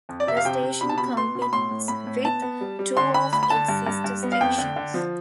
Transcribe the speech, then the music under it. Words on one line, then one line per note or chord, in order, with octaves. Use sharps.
The station competes with two of its sister stations.
F2
D5
C3 E5
F5
C3 G5
C3
B2 B5
A5
B2 B5
B3 C6
B2
B5
A2 C6
A2
A2 B5
A2
B3 A5
B3
G3
G3
D3 C6
D3 B5
D2 B5
B5
D3 A5
G2
G2
G2
B3
F5
F2 G5
D3
D3
F3